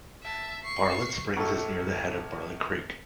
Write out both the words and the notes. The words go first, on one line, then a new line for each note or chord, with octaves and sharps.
Bartlett Springs is near the head of Bartlett Creek.
E5 A5
C#6 C7
A#1 A2 A4 C#6